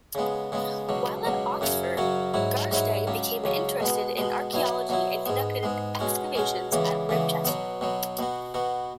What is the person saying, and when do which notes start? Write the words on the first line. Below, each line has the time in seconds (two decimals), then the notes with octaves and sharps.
While at Oxford, Garstang became interested in archaeology and conducted excavations at Ribchester.
0.15 C#3 G#3 B3
0.52 C#3 G#3 B3
0.89 C#2 B2 F#3
1.25 C#2 B2 F#3
1.61 F#2 C#3 F#3 C#4 F#4
1.97 F#2 C#3 F#3 C#4 F#4
2.34 G#2 F#3 E4
2.71 G#2 F#3 E4
3.07 C#2 C#3 F#3
3.44 C#2 C#3 F#3
3.80 B2 G#3 B3
4.17 B2 G#3 B3
4.53 B2 F#3 B3 E4
4.89 B2 F#3 B3 E4
5.26 G#2 G#3 B3
5.63 G#2 G#3 B3
5.99 B2 G#3 C#4 F#4
6.35 B2 G#3 C#4 F#4
6.72 C#2 C#3 E3 B3
7.09 C#2 C#3 E3 B3
7.45 B2 F#3 B3
7.81 B2 F#3 B3
8.19 B2 B3 F#4
8.54 B2 B3 F#4